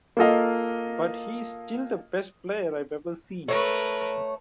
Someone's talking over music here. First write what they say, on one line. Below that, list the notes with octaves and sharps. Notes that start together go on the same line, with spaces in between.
But he is still the best player I've ever seen.
A#3 F4 A4 D#5 F5
A3 A#4 B4 C#5